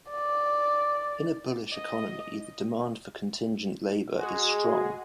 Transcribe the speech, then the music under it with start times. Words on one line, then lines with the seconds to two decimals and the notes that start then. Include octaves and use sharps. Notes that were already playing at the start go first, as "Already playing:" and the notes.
In a bullish economy, the demand for contingent labor is strong.
0.10 D5
1.73 D#5
4.18 G#3 F#4 G#4